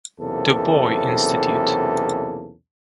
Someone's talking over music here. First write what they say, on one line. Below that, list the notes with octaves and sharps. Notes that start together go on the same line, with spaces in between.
Du Bois Institute.
B1 E2 C3 A#3 C#4 A4